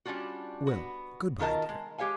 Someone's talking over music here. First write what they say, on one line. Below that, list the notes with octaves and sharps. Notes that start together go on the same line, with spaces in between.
Well, good-bye, dear.
G3 C#4 D4 F4 F#4
B3 F#4
B2 D#3 F4 A#4 D#5 A5
G#3
G#3 G4 C#5 F5 G#5